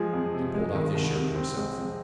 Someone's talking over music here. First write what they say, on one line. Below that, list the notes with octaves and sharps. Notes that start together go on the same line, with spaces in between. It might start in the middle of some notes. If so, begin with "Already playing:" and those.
He pulled off his shirt, himself.
Already playing: F3 G#3 G#4
F2
C3
G#3
D#3
C2
C3
C4
G#3
F2